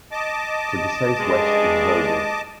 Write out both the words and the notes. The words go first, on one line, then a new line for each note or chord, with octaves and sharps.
To the southwest is Vogel.
D#5 A5 D6
G2 G#3